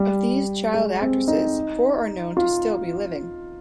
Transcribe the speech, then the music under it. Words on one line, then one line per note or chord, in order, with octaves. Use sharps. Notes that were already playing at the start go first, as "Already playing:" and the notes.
Of these child actresses, four are known to still be living.
Already playing: G3
G#3
C4
D#4
F4